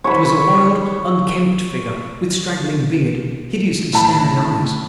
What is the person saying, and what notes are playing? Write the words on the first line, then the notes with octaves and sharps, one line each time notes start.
It was a wild, unkempt figure, with straggling beard, hideously staring eyes.
C#5 B5
A2 A5 B5